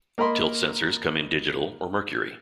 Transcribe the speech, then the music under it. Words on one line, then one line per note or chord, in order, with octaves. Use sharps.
Tilt sensors come in digital or mercury.
A#3 A#4 D#5 B5 C6